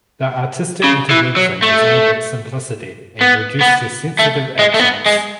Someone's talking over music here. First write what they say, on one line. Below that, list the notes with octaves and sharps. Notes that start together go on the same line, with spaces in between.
The artistic intervention is aimed at simplicity and reduced to sensitive actions.
C#3
E3
F#3
A3
B3
B3
A3
G#3
A3
B3
G#3